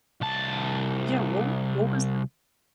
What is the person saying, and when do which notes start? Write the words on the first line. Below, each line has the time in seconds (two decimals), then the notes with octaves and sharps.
Yeah. What what was
0.21 C2 A5